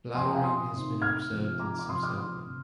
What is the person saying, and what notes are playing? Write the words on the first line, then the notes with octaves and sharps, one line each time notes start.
Flowering has been observed in September.
C3 F3 G#5 C6
G5 A#5
F5 G#5
C6 D#6
C3 D#3
F6 G#6
C3 F3
A#5 D6
D6
C3 F3 C6 D#6
D6 F6
C6 D#6
C3